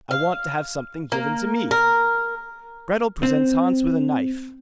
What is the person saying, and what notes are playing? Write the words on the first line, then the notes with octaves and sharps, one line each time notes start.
I want to have something given to me.' Gretel presents Hans with a knife.
F5
A#3
A#4
C4